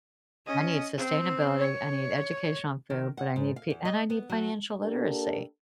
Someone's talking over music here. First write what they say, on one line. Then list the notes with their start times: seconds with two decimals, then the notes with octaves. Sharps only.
I need sustainability, I need education on food, but I need p and I need financial literacy.
0.46 C#4 D#5
0.98 C4
1.58 C#5
2.90 D#3
3.17 F#5
3.36 G#2
3.56 F5
3.70 E2
3.85 D#5
4.10 B3
4.30 F#3
4.81 A#3 D4 G4 A4 A#4